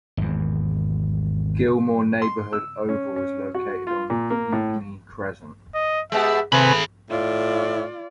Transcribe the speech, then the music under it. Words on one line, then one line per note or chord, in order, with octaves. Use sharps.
Gilmore Neighbourhood Oval is located on Heagney Crescent.
G#1 E2
C6
E6
C#4
C#4
F#4
F4
A#2
A#3
A2
D#5
G#3 B3 G4 E5
C3 A3 G#4 B4 G#5 B5
A2 F4 D5